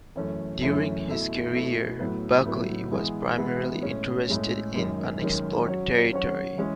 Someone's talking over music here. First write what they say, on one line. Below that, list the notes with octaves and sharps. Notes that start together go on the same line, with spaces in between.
During his career, Buckley was primarily interested in unexplored territory.
F#2 E3 A3 C#4
F#2 E3 A3 C#4
B2 A3 E4
B2 A3 E4
A2 F#3 B3 E4 B4
A2 F#3 B3 E4 B4
E3 G#3 B3 E4 G#4
E3 G#3 B3 E4 G#4
A2 G#3 C#4
A2 G#3 C#4
F#2 D#3 G#3 C#4
F#2 D#3 G#3 C#4
F#3 C#4 F#4 C#5
F#3 C#4 F#4 C#5
E3 G#3 C#4